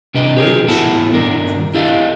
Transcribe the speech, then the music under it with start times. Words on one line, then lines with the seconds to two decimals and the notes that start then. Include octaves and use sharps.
Grey must surely know the truth.
0.14 C3 D4 B4 D#5
0.36 G4 G#4 A#4
0.68 B3 E4 A4 E5 F#5 A5
1.13 G2 D#3 D4 A#4
1.75 E4 G4 A4 D#5 F5